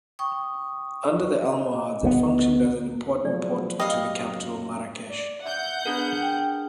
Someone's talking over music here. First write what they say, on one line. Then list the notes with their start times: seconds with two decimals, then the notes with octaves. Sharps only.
Under the Almohads it functioned as an important port to the capital Marrakesh.
0.19 G5 C#6 D#6
1.45 D#5
2.03 D2 G3 B3
3.25 F3 F#3 A3 G#4 D5
3.79 G4 D#5 F5 G5 B5
4.17 F#2
5.10 D5
5.44 E5 F#5 G6
5.86 B3 D4 G#4 A#4
6.23 G5